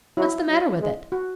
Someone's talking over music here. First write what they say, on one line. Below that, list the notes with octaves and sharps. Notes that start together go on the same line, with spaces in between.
What's the matter with it?'
F#3 E4
F#3
G#3
F#4